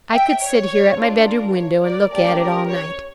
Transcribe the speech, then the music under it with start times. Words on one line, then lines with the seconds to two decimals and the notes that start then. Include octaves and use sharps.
I could sit here at my bedroom window and look at it all night.
0.12 E5 G5
0.40 C#5
0.97 D4 F4 A4
1.26 A#4
1.54 C#5
1.83 A#4 D5
2.11 A3 C#4 G4 A#4 D5
2.40 A#4
2.68 C#5